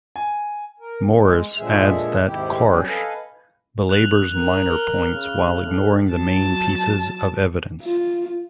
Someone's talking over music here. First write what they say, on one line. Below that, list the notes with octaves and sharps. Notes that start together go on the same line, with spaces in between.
Morris adds that Karsh belabors minor points while ignoring the main pieces of evidence.
G#5
A#4
G#3
A#2 D3 F3 G#3 G#4 E5
D#2 G#2 C3 D#3 E4 G4
F#3 G3 C4 C#4
A4 B4 D#5 F5 G#5
F#6 F7 F#7
A#4
F6
C#3
A2
F#3 A5
F4